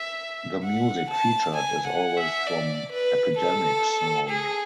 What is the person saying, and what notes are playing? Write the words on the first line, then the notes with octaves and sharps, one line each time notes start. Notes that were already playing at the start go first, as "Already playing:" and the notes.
The music featured is always from Epidemic Sound.
Already playing: E5
F#5
A5
G#5
F#5
E5
D5
B4
A4
G#4